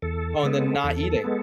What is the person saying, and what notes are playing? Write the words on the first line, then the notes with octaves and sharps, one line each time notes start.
Oh, and then not eating.
E2 A4
C#3 G#3 B3
E2
G#3 B3